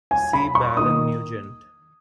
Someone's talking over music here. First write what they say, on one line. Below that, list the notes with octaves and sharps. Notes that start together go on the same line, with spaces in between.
See Baron Nugent.
G#5
B5
C#6
D#3 A#3 D#4 D#6